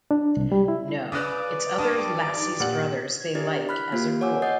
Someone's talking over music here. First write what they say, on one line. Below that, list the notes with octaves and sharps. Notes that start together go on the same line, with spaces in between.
No, it's other lassies' brothers they like as a rule.
D4
C2
G3
E4
C#3 B4 D5 D#6 F#6
G2 A5 D#6
D#4
A#2 G4 F#5 F#7
G#6
D4 E4 G4 A#4 D5 A6
B5 F6 F#6 B6
A#3 F4 G4
C#5 F#5 G#5 D6 E6
D#5 F#5 D#6 G6 A6 C7